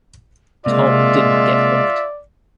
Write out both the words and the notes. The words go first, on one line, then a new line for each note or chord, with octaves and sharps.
Tom didn't get hooked.
C3 G#3 A#3 F4 D5 E5